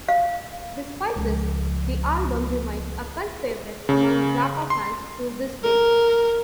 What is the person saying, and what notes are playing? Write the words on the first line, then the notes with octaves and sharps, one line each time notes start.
Despite this, the album remains a cult favorite among Zappa fans to this day.
F5
C#2 F3
C#3
C6
A#4